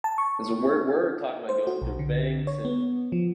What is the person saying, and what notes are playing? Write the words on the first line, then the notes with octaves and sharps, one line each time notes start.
because we're we're talking about going through banks and
A5
C#6
C5
F#4
B1
D3
C#5
B3
F3